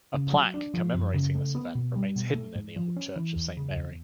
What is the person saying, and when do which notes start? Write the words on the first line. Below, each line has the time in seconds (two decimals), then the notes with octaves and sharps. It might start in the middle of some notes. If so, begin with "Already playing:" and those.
A plaque commemorating this event remains hidden in the old church of Saint Mary.
0.14 C#3
0.33 F#3
0.54 D4
0.74 F3
0.94 F#2
1.14 C#3
1.35 A3
1.55 B3
1.75 B2
1.96 G3
2.16 B2
2.35 A3
2.55 G#2
2.76 F3
2.96 C#4
3.16 E3
3.36 E2
3.57 C#3
3.76 E2